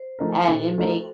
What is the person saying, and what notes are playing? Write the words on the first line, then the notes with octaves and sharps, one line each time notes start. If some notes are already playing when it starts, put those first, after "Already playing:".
And it make
Already playing: C5
F3 A3 D#4 A#4
A4
A#2 F#4
F3 A3 D#4 A#4